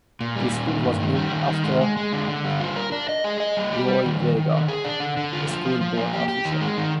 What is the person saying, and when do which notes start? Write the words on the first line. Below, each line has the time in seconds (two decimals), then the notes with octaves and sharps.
The school was named after Roy Wagar, a school board official.
0.21 A#2
0.36 G3
0.52 A#2
0.68 D#3
0.84 G2
1.00 D#3
1.17 G3
1.32 D#3
1.48 D#3
1.64 G#3
1.80 G#3
1.97 G#3
2.13 D3
2.28 D3
2.44 G3
2.60 F4
2.76 A#4
2.92 D4
3.09 D#5
3.24 G#4
3.40 D#5
3.57 G3
3.73 G4
3.88 G3
4.05 D#3
4.20 D#3
4.37 D#3
4.52 D3
4.68 G#4
4.84 D4
5.00 D3
5.17 D3
5.33 F4
5.48 F3
5.65 F3
5.81 F3
5.97 A#3
6.13 G4
6.28 G4
6.45 D#3
6.61 G#3
6.77 D#3